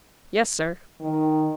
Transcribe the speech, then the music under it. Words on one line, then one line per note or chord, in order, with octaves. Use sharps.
"Yes, sir."
D#3